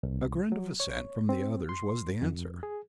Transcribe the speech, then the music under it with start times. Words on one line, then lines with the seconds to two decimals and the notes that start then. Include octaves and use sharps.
A grunt of assent from the others was the answer.
0.03 C2
0.52 F#3
0.80 C#5
1.29 C4
1.69 C6
2.22 F2
2.63 G#4